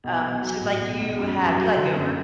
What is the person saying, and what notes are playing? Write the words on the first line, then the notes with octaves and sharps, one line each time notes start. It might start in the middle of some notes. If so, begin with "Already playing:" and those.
Um, so like, do you have do you like yogurt?
B1
B1
F#3
A2
B1
B1
F#2
F#2
F#3
D3
F#2